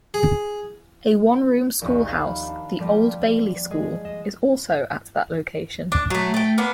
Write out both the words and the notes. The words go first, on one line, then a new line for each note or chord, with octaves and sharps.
A one-room schoolhouse, the Old Bailey School, is also at that location.
G#4
A#1 D#2
F5 B5
D4
F3 G3 A#3
G#3 G#4
D#5 E7
D4
F#3 A3
A3 G5
A#3 B3 D4